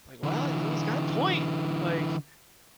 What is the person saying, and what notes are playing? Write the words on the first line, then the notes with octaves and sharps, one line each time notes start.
like, "well, you know, he's got a point, like"
D3 E3